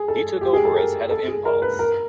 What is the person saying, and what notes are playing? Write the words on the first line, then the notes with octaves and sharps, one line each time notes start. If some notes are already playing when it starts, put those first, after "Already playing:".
He took over as head of Impulse!
Already playing: G#4
A4
G4
G#4
A4
A#4
A4
G#4
A#4
B4
A#4